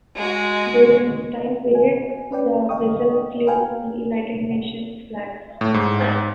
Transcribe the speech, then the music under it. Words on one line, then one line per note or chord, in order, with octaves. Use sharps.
During this time period, the vessel flew the United Nations flag.
G#3 F#4
F#4 G#5
C#4 B4 D5 G5
D#5 F5 G5 C#6 D#6
A#4 B4 F5 G5 G#5
A2
G#2